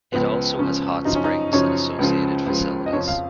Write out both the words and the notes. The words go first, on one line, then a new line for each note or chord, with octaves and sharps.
It also has hot springs and associated facilities.
C#2 C#3 F3 B3
C#2 C#3 F3 C#4
F#2 C#3 F3 D#4
C#4
D#4
F#2 C#3 F3 C#5
C#2 C#3 F3
C#2 C#3 F3
D#5
F2 C#3 F3 C#5
F5